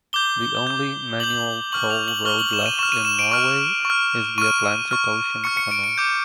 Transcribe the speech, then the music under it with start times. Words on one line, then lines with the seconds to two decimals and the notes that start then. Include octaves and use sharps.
The only manual toll road left in Norway is the Atlantic Ocean Tunnel.
0.13 D6 G6 G7
0.67 D6 G6
1.20 D6 G6 F#7
1.72 C#6 F6 F#7
1.90 F7
2.08 F#7
2.25 C#6 F6 G7
2.39 F#7
2.53 E7
2.66 D#7
2.78 C#6 F6 E7
2.92 D#7
3.05 E7
3.19 D7
3.31 C#6 F6
3.85 C#6
3.90 F6
4.38 C#6 F6 D#7
4.91 C#6 F6
5.44 C#6 F6 C#7
5.57 C#7
5.71 D7
5.84 D7
5.98 D6 G6